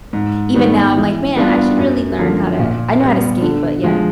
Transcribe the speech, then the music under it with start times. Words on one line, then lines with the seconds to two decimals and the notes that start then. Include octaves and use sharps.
even now I'm like, "Man, I should really learn how to" I know how to skate, but yeah.
0.13 G#2
0.54 D#3 G3 B3
0.96 E3
1.36 G3 B3 D4 F4
1.78 F#2
2.19 D3 F3 A#3
2.59 A#2
3.00 G3 B3
3.42 D3
3.83 F3 G#3